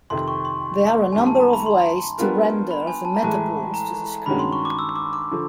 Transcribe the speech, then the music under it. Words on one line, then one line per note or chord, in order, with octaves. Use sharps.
There are a number of ways to render the metaballs to the screen.
F2 C3 D#3 C6
C#6
C6
F#2 D#3 G3 A#3 G#5
A5
A#5
B5
C6
G3 B3 D4 F4 A#4
B5
G#5
A5
A#5
A2 E3 G#3 A5
A#5
G2 D#3 G#3 C#4 F#4 B5
C6
C#6
D6
E6
D6
D6
D3 F3